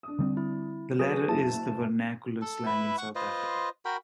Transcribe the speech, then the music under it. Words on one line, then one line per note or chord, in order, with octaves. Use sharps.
The latter is the vernacular slang in South Africa.
D4 D#6
D3 G3 C4
E4
F#3 G#4 B4 C#5
F#1 F#3 E4 A5
A4
E4 B4 E5
F#5 C#6
F4 B4 C5 D#5
F#4 A#4 G5 B5